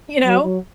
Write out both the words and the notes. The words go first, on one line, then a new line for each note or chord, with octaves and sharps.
you know,
F#3
F#3